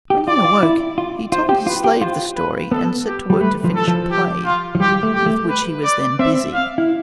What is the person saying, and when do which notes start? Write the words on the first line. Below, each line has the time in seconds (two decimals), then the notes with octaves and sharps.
When he awoke, he told his slave the story, and set to work to finish a play with which he was then busy.
0.10 G4
0.28 F4 D5
0.45 F4
0.63 E4
0.98 F4
1.32 F4 C5
1.49 G4
1.67 F4 B4
1.84 G4
2.01 F4 C5
2.36 B4
2.72 B3 A4
3.06 G4
3.30 G3
3.41 A3 B4
3.64 F3
3.76 A4
3.88 F3
4.11 G4
4.45 F4
4.75 F3
4.80 G3 G4
5.03 A3
5.15 G4
5.26 A3
5.50 B4
5.84 D5
6.19 C4 E5
6.54 F5
6.78 E4